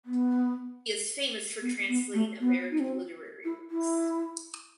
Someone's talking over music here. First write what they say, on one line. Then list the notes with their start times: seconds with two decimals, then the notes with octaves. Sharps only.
He is famous for translating American literary works.
0.06 B3
1.62 B3
1.89 B3
2.14 A3
2.40 B3
2.71 D#4
2.80 C4
3.45 E4
3.71 E4